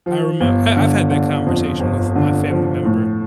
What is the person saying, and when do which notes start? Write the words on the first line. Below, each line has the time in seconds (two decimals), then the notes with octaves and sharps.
I remember I I've had that conversation with my family member
0.06 F3
0.41 G1
0.77 D3
1.11 D3
1.46 F2
1.80 G1
2.16 D3
2.50 F3
2.85 A2